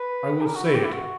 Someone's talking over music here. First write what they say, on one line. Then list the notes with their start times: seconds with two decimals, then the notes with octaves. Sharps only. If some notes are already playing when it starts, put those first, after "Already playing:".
I will say it.
Already playing: B4
0.41 G4
0.46 A#4
0.55 F#4
0.65 E4
0.74 G4
0.84 E4
0.93 F#4